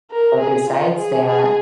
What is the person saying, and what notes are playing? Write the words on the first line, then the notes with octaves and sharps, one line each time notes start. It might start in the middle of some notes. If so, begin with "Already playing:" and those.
but besides that,
A#4
G#4
F4
G#4
G#4